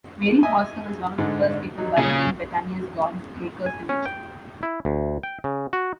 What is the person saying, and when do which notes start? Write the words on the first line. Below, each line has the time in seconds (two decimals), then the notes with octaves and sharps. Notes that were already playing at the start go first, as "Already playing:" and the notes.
Mary Hauser was one of the first people buried in Bethania's God's Acre cemetery.
0.43 D#5 E5 G#5
1.18 G#2 D3 G#3
1.78 F#3 D#4
1.98 A#2 C#3 G#4
3.66 G#5
3.89 C#4
4.06 G5
4.63 E4
4.85 D2
5.23 G5
5.44 C#3
5.73 F#4